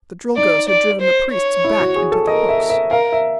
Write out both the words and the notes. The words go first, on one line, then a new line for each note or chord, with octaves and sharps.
The Drilgoes had driven the priests back into the hooks.
D#4 D5
D5
C5
C#5
E4
F#4
G#4
A4
A#4 D#5
E5
E5
A#4 F5
E5